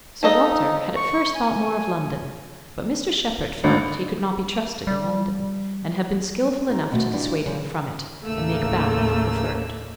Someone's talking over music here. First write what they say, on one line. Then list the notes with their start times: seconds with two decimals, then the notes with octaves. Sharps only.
Sir Walter had at first thought more of London; but Mr Shepherd felt that he could not be trusted in London, and had been skilful enough to dissuade him from it, and make Bath preferred.
0.23 F3 D#4 A4 D#5
0.96 C#6
1.35 G#5
3.64 G#1 D2 G#2
4.87 G3
6.69 D#4 F4
6.92 B2 A3 F#5
7.13 D2 G2 D4 E4
7.45 C#3 F3 D4
8.23 D#2 A2 C#3 A3 A#3 E6